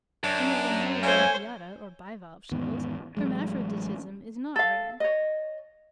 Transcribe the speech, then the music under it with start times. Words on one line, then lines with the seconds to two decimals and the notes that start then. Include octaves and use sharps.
In the Lamellibranchiata, or bivalve shells, hermaphroditism is not rare.
0.23 F#2 D4
1.03 A#3 A4 C5 C#5 G#5
2.51 E2 G#2 D#3 B3
3.17 A1 F#3 G#3
4.56 A4 F5
5.00 C#5 D#5